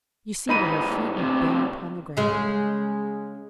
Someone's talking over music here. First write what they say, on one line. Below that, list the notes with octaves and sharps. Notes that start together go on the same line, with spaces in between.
You see where her feet went bare upon the ground.
G#2 E3 D#4 B5 D#7
D2 C3
C#3 G#3